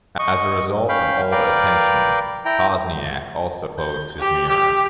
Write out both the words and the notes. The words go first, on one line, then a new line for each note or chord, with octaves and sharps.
As a result of all the attention, Pozniak also closed his mirror.
D#5 C#6
C#4 F5 G5 B5
A#4 B4 D5 F5 G5
E4 G5 A#5
G6
G4
G4